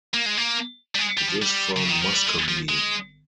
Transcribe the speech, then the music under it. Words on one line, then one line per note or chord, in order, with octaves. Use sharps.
It is from Muskogee.
A#3
G#3
A#3
G3
G#3
G3
F3
G3
C#3
D#3
F3
G3
G#3
F3
G#3